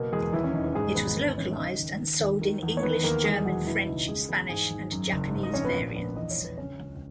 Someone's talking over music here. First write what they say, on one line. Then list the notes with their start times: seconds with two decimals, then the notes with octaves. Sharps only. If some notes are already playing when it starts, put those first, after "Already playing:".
It was localized and sold in English, German, French, Spanish and Japanese variants.
Already playing: F#1 B2 A#3 A#4
0.13 E2 G#3 G#4
0.33 D#2 E3 E4
0.44 C#4
0.53 E1 D#4
0.64 E3 E4
0.75 G#2 G#3 G#4
0.95 G#1 B3 B4
1.16 E2 B3 B4
1.37 E1 C#4 C#5
1.53 E5
1.58 C#3 D#4 D#5
1.79 D#2
1.99 D#3
2.20 D#2
2.41 D#3
2.63 E2
2.77 C#5
2.82 D#3 B3 B4
3.03 D#2 A#3 A#4
3.25 E2 G#3 G#4
3.45 E1 F#3 F#4
3.67 B2 E3 E4
3.87 C#2 D#4
4.08 C#3 G#3 G#4
4.29 E2 B3 B4
4.49 G#2 G#4 G#5
4.70 G#1
4.92 F#2
5.12 F#1
5.33 G#2
5.43 D#4 D#5
5.54 A#1 C#4 C#5
5.64 B3 B4
5.75 A#2
5.96 A#1 B3 B4
6.16 E2 D#5
6.31 C#5
6.38 E1
6.44 B4
6.58 C#3 C#4 C#5
6.79 C#2